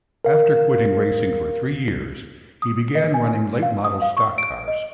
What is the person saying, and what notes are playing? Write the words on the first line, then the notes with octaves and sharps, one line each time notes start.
After quitting racing for three years, he began running late model stock cars.
A#4 F5
D#6
D#5
G#5
F5
D#6
F5
C#6
D7
D#5